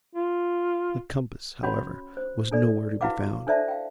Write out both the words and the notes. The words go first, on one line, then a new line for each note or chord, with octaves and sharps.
The compass, however, was nowhere to be found.
F4
C#4 F#4 C#5 F#5 B5 C6
C5
D4 A4 D5
E4 F#4 B4 F5 F#5 D6
D4 A4 C5 D5 E5 A5
F5 G5